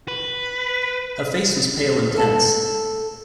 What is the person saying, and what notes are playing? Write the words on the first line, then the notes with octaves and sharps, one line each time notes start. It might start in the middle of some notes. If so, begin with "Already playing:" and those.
Her face was pale and tense.
B4
A4 A5